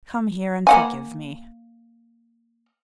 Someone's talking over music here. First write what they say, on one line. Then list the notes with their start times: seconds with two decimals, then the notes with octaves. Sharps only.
Come here and forgive me.'
0.67 A#3 F#5 G#5